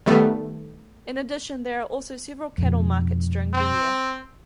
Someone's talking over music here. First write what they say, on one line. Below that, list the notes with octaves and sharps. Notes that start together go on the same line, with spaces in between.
In addition, there are also several cattle markets during the year.
D#3 G3 A3 B3
F2 B2
C4